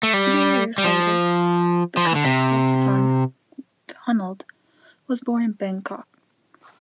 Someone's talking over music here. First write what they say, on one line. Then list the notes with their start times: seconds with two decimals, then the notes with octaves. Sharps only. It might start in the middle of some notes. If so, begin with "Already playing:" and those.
Three years later, the couple's fourth son, Donald, was born in Bangkok.
0.03 A3
0.13 G3
0.78 G3
0.84 F3
1.97 F3
2.06 E3
2.15 D3
2.25 C3